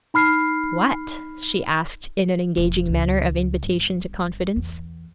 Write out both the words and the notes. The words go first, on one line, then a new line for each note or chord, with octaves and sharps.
'What?' she asked in an engaging manner of invitation to confidence.
D#4 B5 F6 C7
E1 E2
C#2
G1
E2